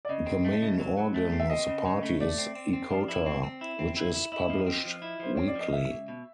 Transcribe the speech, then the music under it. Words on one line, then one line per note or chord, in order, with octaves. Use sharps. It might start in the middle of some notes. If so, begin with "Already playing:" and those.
The main organ of the party is "Ekota", which is published weekly.
D5
C#3 D#5
C4
A3
C#3
F#3
F#3
A3
C4
E5
C4 D#5
C#3
C#3
A3
A3 D5
C4
C4
C4
F3 D5
E4
C4
C4
E4
C4
E4
E4
E4 D#5
F3
C4
F3
E4
F3 C5
C4 C#5
D5
F3 D#5
C#2 E5
C#2
B2